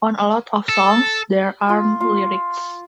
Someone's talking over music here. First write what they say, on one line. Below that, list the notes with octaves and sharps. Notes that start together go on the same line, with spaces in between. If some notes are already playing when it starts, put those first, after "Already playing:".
On a lot of songs, there aren't lyrics!
A4
F4
F4